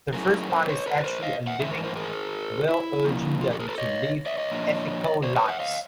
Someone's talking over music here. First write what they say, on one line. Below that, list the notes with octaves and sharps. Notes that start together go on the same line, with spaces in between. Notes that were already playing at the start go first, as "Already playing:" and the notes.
The first part is actually a living will urging them to live ethical lives.
A#2 F#3 A3 C#4 E4 G#4 A#4
A#4 C5
B4 C#5
A4 B4
A#4 C5
D#5 F5
E5 F#5
G#2 E3 C#4 E5
A#4 C5
A#4 C5
G#4 A#4
E4
A#2 F3 A#3
F4
G4 A4
G#4 A#4
A4 B4
C#5 D#5
D5 E5
C#5 D#5
A#2 F3 A#3 D4
C5 D5
B4 C#5
E5 F#5
D#5 F5